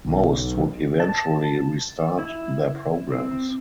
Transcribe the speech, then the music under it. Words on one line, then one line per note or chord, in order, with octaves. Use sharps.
Most would eventually restart their programs.
B1
A5
E4
C4